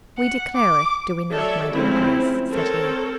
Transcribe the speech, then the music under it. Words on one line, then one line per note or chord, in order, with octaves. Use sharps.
"We declare it, do we not, my dear Grace?" said he.
F#5
D6
F#3 A4 C#5 D5 E5
F3 G#3 A3 C4 C#4 E4
C4 A4 A#4 C5 C#5